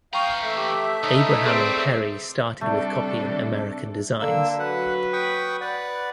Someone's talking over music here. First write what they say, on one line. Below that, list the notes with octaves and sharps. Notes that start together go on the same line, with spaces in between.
Abraham and Peri started with copying American designs.
E3 F5 G5 A#5 C#6 D#6 G6
A3 E5
G4
C#2 D#4
G3 C4 G#4 B4
C3 G3 A3 D4 A4
D3 A#3 E6
F#3 B4 F#5
G5 C#6 D#6
B4 D5 F#5